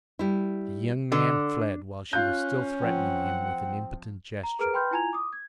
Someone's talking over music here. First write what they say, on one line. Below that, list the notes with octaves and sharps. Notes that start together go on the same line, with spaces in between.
The young man fled while she was still threatening him with an impotent gesture.
G3 E4
D3
C#4 F4 F#6 G6
F3 C4 F#5
A#5
G#4 A#4 B4 A#5 F6 D7
B4 G5 B5 C6 F6 G6
E4 F4 G#5 A#5 G#6 F7
D6 D#6
G#6